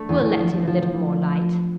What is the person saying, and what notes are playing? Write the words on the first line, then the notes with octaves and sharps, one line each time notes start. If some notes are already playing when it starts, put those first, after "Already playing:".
We'll let in a little more light.
Already playing: A3 D4
E2
E2
F3
F3
F3
F3